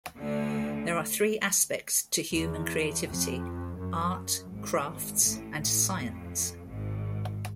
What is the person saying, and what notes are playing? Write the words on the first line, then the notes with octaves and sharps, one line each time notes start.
There are three aspects to human creativity - Art, Crafts, and Science.
D2 D3
E2
F2
F#2
G#1 G#2
A1 A2
A1 A2
F2
G#1 G#2